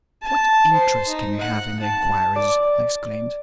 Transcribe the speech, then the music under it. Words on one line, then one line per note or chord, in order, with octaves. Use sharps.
"What interest can you have in the inquiries?" I exclaimed.
A5
C5
D#4
F#5
A5
D5